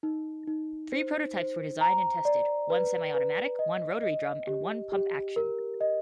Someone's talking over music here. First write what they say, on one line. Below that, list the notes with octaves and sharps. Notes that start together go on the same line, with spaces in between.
Three prototypes were designed and tested: one semi-automatic, one rotary-drum, and one pump-action.
D#4
D#4
C5
C5
A#5
D5
B4
B4
D#5
D#5
G4
G4
A#4
D#5